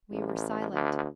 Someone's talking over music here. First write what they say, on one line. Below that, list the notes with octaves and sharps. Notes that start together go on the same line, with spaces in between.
We were silent.
A1
D2